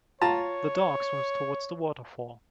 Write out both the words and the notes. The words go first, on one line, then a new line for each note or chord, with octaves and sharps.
The dog swims towards a waterfall.
F4 C#5 A5 A#5